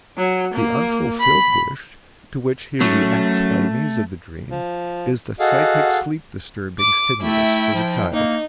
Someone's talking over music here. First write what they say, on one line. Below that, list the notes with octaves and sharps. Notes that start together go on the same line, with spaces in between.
The unfulfilled wish, to which he reacts by means of the dream, is the psychic sleep-disturbing stimulus for the child.
F#3
A#3
B5
F#3 A3 C#4
F3
F#4 G#4 A4 D#5 F5 F#5
D6
A3 E4 G5
F3
A#3 D#4